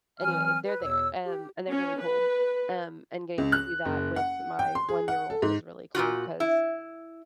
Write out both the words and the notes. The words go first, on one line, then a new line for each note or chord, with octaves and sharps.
anyway, they're there, and and they're really cool, um, and getting to do that with my one-year-old was really cool 'cause,
E3 F#3 C4 G#5 F6
B4
E2 B2 C#5 E6
G4
C#4
B4
C#2
F#6
F#1
F#5
G5
C6
G#4
F#5
A4
G#2
A#2 F3 F4 F#4
E4